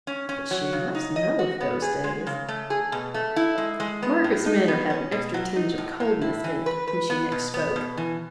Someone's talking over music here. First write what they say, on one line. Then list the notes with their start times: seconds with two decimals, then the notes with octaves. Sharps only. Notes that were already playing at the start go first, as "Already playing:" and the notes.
But she must know of those days.' Margaret's manner had an extra tinge of coldness in it when she next spoke.
0.07 C#4
0.29 C#4
0.51 F#3
0.73 C#3
0.95 D#4
1.16 D#5
1.39 F#4
1.61 B3
1.82 G#4
2.04 G#3
2.27 C#3
2.48 A3
2.70 G#4
2.92 B2
3.14 A3
3.36 E4
3.58 G#3
3.80 G#3
4.03 B3
4.24 A2
4.46 D#4
4.68 B3
4.90 C#4
5.12 B2
5.34 F#3
5.56 D#4
5.78 A2
6.00 A2
6.21 E4
6.44 E3
6.66 B4
6.87 B4
7.10 B3
7.32 B2
7.54 B3
7.76 B2
7.97 E3